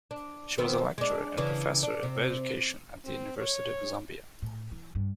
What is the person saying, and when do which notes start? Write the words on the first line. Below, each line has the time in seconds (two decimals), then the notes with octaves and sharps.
She was a lecturer and professor of education at the University of Zambia.
0.11 D4
0.58 D#3 B3 C4
0.98 G#3 D4
1.37 C#3 E3 D4
1.83 D4
2.03 C3
3.05 C4
3.37 C#5
4.42 A2
4.71 E3
4.95 G2